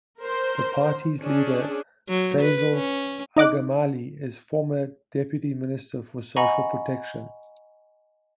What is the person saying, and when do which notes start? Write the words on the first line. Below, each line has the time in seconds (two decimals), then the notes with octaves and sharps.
The party's leader Fazail Agamali is a former deputy minister for social protection.
0.21 A#4 C5
1.22 C#4 D4 G#4
2.09 F#3
2.41 B4
2.74 C#4
3.36 D#4 D#5 D6 F#6
6.36 D#5 F#5 G#5 A#5 B5 C#6